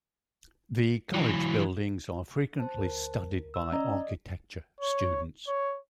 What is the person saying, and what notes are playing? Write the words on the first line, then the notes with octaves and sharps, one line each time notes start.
The college buildings are frequently studied by architecture students.
E3 F#3
C5 A5
D2 A#4
E6
C#4 D5 D#5 A#5
C#5
C#5